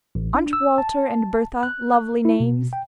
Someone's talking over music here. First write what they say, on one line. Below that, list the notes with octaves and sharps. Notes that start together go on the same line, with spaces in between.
Aren't Walter and Bertha lovely names?
A1
D4
E6
A5
F#6
E4
B2
G5